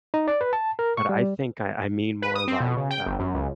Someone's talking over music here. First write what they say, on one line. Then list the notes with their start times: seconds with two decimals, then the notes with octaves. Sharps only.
But I think I I mean more like, um,
0.14 D#4
0.28 D5
0.41 B4
0.53 A5
0.79 A#4
0.97 C#6
1.09 G3
2.22 B4
2.35 D#6
2.48 C4
2.60 B2
2.77 C#3
2.90 G5
3.06 G1
3.19 F#2
3.35 C#2